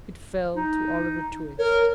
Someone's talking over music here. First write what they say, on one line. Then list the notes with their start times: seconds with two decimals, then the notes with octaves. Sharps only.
It fell to Oliver Twist.
0.56 D#4
1.59 A#4 C#5